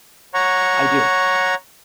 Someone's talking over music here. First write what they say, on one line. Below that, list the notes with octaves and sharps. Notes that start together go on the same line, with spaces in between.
I do.
C#5 F#5 A#5 C#6